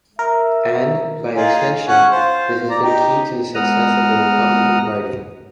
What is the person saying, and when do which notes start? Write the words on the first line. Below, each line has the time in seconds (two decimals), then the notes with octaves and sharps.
And, by extension, this has been key to the success of the Republican Party.
0.19 A#4 E5
1.35 D#4 F4 G#4
1.88 C#4 F#5
2.12 F4 C5
2.70 D5 A#5
2.82 D#4 G4 A#5
3.55 G#3 B3 F#5 A#5 D#6 F6